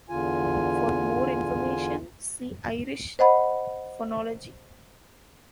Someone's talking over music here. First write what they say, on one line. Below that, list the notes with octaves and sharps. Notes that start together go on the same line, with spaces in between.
For more information, see Irish phonology.
E2 D3 F4 G#5
C5 D#5 F#5 B5